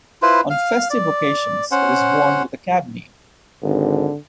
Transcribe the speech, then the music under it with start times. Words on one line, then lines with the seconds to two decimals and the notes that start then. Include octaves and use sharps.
On festive occasions, it is worn with a kabney.
0.22 E4 F4 B4 C5
0.50 F5
0.90 D5
1.71 C#4 C5 F#5
3.63 G#1 D3